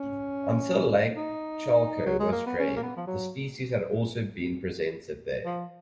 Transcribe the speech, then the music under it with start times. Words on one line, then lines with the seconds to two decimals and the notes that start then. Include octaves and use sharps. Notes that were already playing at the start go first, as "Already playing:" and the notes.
Until Lake Chalco was drained, the species had also been present there.
Already playing: C#4
1.16 D#4
2.06 F#3
2.20 G#3
2.32 A#3
2.46 B3
2.59 C#4
2.77 A#3
2.83 B3
2.97 F3
3.07 F#3
5.46 F3